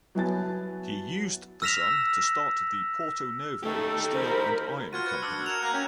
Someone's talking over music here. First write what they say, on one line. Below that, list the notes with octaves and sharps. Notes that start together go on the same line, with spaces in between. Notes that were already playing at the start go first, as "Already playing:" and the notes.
He used the sum to start the "Porto Novo Steel and Iron Company".
F#3 B3 E4 G#5 A5 A6
E6 F6 A#6 B6 E7 F7
A3 D#4 G4 A4
A#4 C5 B5
F4 F#4 F6 G#6 D#7
B4 G#6 C#7
D4 E6
A#4 G#6 E7 F7
A#3 A#5 F#6 G#6
C#4 G5